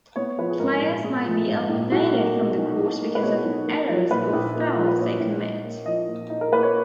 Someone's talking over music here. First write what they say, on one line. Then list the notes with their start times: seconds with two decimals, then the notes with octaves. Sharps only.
Players may be eliminated from the court because of errors or fouls they commit.
0.16 B3 C#5
0.38 F3 B4
0.50 G#4
0.60 G#2 A#4
0.81 A#1
1.04 B3 G#4
1.26 F3
1.48 G#2
1.69 A#1
1.92 B1 F#4
2.13 A#3
2.36 B2
2.57 B1
2.79 B1
3.00 A#3
3.15 B4
3.23 B2 C#5
3.45 B1
3.66 A#3
3.89 F3
4.10 A#2 B4
4.33 A#1
4.55 A#3
4.76 F3
4.88 B4
4.98 A#2 C#5
5.20 A#1
5.41 D#4
5.64 A#3
5.85 F3 D#5
6.08 A#2
6.30 D#4
6.41 A#4
6.52 A#3 B4
6.63 C#5